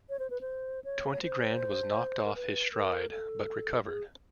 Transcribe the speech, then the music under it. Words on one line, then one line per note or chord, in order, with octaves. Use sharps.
Twenty Grand was knocked off his stride but recovered.
C#5
C5
B4
C5
C#5
C#5
C5
A#4
B4
A#4
A4
G#4